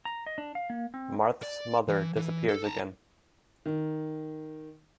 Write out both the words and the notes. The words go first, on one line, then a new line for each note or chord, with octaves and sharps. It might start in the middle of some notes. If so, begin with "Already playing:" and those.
Marthe's mother disappears again.
A#5
D#5
D4
F5
A#3
C4
D5
E3
E3
A4
A5 A#5
D#3